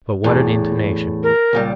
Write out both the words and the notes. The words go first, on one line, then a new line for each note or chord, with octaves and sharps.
But what an intonation!
E2 A2
A#4
C#2 A#2 G3